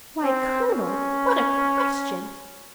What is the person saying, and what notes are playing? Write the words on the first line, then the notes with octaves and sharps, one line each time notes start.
Why, colonel, what a question!
C4
C#4